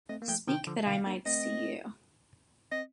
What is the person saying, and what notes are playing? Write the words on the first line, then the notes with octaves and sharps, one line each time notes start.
Speak that I might see you!
A3 C4 D#5
A#3
F3 A3 G5
C3 D#3 G5
D3 F3
C3 D#3 F5
A#3 D4
A3 C4 D#5
C4 D#5